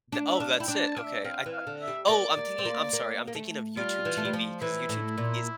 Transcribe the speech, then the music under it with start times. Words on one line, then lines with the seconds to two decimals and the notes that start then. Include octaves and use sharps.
The oh, that's it, okay. I thought Oh, I'm thinking I'm sorry, I'm thinking of YouTube TV, 'cause YouTube TV is it
0.12 D4
0.34 E5
0.40 D4 F5
0.60 E4 G5
0.68 D4
0.82 A5
0.97 D4 F5
1.04 E5
1.24 C4 F5
1.46 E3
1.53 F5
1.67 D3
1.81 E5
1.88 G3
2.09 A#3 D5
2.37 A#3
2.58 C4
2.65 A#3
2.93 A#3
3.27 A#3
3.35 A3
3.77 G3 F4
4.05 E3
4.17 A3
4.25 G3
4.33 F3
4.62 E3 E4
4.89 A2
5.18 A#2